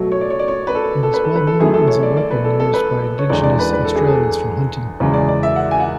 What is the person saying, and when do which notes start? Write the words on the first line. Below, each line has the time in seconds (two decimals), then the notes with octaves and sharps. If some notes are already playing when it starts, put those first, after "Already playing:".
It is well known as a weapon used by Indigenous Australians for hunting.
Already playing: B2 F#3 A3
0.12 C#5
0.21 D5
0.30 C#5
0.39 D5
0.48 C#5
0.67 B4
0.75 A4
1.03 A4
1.14 B4
1.25 A4
1.36 B4
1.47 A4
1.60 F#2 E3 A3 G#4
1.74 A4
1.88 C#5
2.03 D5
2.17 D5
2.31 B4
2.44 A4
2.60 A4
2.74 B4
3.19 C#5
3.29 E2 D3 G#3 D5
3.43 D5
3.59 B4
3.73 B4
3.85 A4
3.96 G#4
4.08 A4
5.00 E2 C#3 G#3
5.14 D5
5.29 D5
5.43 E5
5.56 F#5
5.71 G#5
5.80 F#5